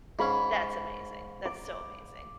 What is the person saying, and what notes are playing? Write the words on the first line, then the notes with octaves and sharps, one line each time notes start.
that's amazing, that's so amazing,
G#2 C#4 F5 B5
D6